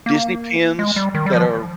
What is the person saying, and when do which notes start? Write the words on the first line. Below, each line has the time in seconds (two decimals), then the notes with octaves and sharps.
Disney pins that are,
0.06 A#3
0.79 G#3
0.96 G3
1.14 D#3
1.26 G3
1.33 F3